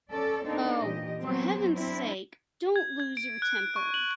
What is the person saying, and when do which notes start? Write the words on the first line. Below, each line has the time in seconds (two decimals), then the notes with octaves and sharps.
Oh, for Heaven's sake, don't lose your temper.
0.11 C#4 A4 D5
0.46 A#3 C4 D4 D#4 A4
0.83 A#2 E3 G4 D#5
1.21 F#3 B3 C4
1.74 C4 D4 E4
2.76 G#6
3.00 G#6
3.17 D7
3.42 F#6
3.76 C#6
3.94 F#7